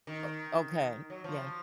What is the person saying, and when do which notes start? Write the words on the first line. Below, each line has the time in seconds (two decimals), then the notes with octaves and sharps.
Oh, okay, yeah.
0.07 D#3
1.10 F#3
1.24 F3